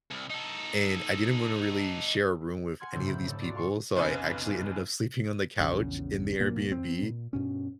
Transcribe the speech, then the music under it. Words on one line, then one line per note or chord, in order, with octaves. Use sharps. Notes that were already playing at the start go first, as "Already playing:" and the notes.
And I didn't wanna really share a room with any of these people, so I actually ended up sleeping on the couch, in the Airbnb,
C2
D#4 A4
F#5 G#5 C6 F6 G#6
G1 G#2 C#3 A4 C5 G6
E5 B5 G6
F1 G#2 A3 A4
F4 F#4 D5
F5 A5 C6 C#6 C7 C#7
F1 B1 C#3 B4 G#5
A#1 E2 C#3
D2 A#2 A#3
F2 C4
A#2
G2 B2 C#4